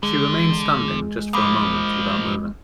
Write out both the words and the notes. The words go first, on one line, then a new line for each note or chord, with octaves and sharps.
She remained standing just for a moment without moving.
D3 G#3
F3 A#3 B5 D6 D#6